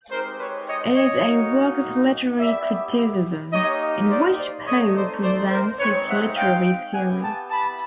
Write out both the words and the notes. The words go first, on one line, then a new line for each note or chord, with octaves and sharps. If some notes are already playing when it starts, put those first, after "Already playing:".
It is a work of literary criticism, in which Poe presents his literary theory.
G#3 C4 D#4 G4 A#4 C5
B4 C#5
C#5 D#5
C#5 D#5
A#3 D#4 F#4
B3 E4 G4 D5 E5
A#3 D#4 G4 C#5 D#5
C5 D5
C5 D5
A3 C4 D#4 C#5 D#5
C5 D5
C5 D5
A#4 C5
G#3 C4 D#4 B4 C#5
E5 F#5
F5 G5
B3 E4 G4 F#5 G#5
G5 A5
A5 B5